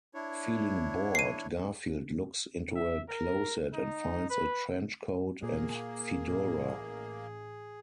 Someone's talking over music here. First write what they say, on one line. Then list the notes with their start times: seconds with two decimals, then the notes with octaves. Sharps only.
Feeling bored, Garfield looks into a closet and finds a trenchcoat and fedora.
0.14 D4 E4 C#5
1.15 C7 D#7
2.76 E5
3.09 A#4
3.74 D#4
4.30 B4
5.43 A#2 A#3 G#4
6.28 A1